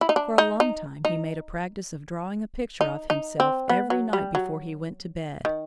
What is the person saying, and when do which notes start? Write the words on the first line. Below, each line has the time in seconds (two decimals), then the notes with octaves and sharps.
For a long time he made a practice of drawing a picture of himself every night before he went to bed.
0.01 E4
0.09 D#4
0.16 D4
0.38 D#4
0.60 D#4
1.05 D#4
2.81 D#4
3.10 D#4
3.40 C4
3.69 B3
3.90 F#3
4.13 G3
4.35 F#3
5.45 D#3